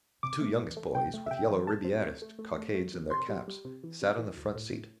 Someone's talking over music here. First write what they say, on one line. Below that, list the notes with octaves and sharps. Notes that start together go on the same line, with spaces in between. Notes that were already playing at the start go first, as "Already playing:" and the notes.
The two youngest boys, with yellow Ribierist cockades in their caps, sat on the front seat.
C3 D6
A3
E3
A3
C3 G5
A3
E5
C3 G5
E3
C3 A5
C4
A3
A3
A3
A3
A3
C3
C3 C6
G3
G3
C3
E3
C3
E3
D2
A2
A2